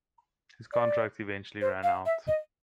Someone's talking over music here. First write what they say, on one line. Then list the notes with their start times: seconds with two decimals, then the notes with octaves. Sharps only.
His contract eventually ran out.
0.73 D5
1.61 C5
1.83 F5
2.06 E5
2.28 D#5